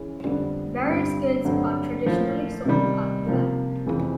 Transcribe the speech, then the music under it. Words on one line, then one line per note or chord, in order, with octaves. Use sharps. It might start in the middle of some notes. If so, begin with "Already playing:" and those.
Various goods are traditionally sold at the fair.
Already playing: E3 G#3 C#4
F2 D3 G3 B3
G2 D3 G3 C4
G2 D3 F#3 A3 C4
A2 F3 A#3
C3 D#3 G3
C3 F3 A#3
F2 C3 E3 G#3 C4